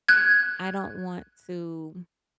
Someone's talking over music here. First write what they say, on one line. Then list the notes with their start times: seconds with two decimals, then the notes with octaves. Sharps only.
I don't want to
0.09 F#6 G#6